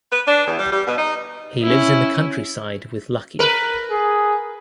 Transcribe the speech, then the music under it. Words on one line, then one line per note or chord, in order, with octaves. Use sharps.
He lives in the countryside with Lucky.
B4
D4
E2
G3
G3
B2
D#4
C#4 E4
A#4 B4
G#4